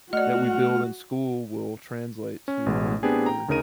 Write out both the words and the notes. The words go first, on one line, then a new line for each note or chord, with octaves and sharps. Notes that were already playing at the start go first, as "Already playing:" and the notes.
that we build in school will translate to when we're
A3 F#4 D5 D#5 F#5 F6
C#4
A1 B2 G#3
B3 C4 D4 G4 G#4
G5 A#5
D2 C#3 D#4 A#4 D#7